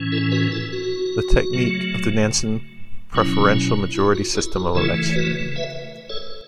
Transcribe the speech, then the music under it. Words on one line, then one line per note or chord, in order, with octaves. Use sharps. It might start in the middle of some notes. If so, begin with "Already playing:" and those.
The technique of the Nanson preferential majority system of election.
Already playing: A2 E3 C#4
E4 A4
F#4 B4
E4 A4
F#4
C#3 F#3 A3
B2 F#3 C#4 E4
E4
F#4
E4 A4
F#4
C#3 E3 A3 E4 A4
C#5
F#4 B4
B4 E5
A4 C#5